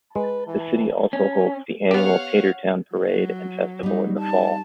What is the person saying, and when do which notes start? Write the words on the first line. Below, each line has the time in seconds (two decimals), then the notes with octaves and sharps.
The city also holds the annual Tater Town Parade and festival in the fall.
0.16 G#3 B4
0.47 E3
1.13 C#4
1.91 B3 G4 C#5 F5 F#5
2.94 F#3
3.83 G3 D#4
4.19 A5